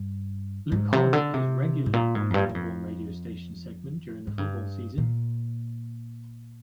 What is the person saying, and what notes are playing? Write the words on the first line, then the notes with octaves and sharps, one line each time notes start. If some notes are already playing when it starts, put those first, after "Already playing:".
Luke Hodge appears regularly on a Melbourne radio station segment during the football season.
Already playing: G2
G#2
C3
D3
C3
G#2
A#2
G#2
F2
G2
G2
F2
G#2
G2
A#2